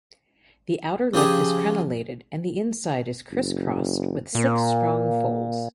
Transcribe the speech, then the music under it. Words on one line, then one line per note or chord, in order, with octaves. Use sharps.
The outer lip is crenellated and the inside is crisscrossed with six strong folds.
C#3 F3 G4 G#4
F#1
A#2 A#3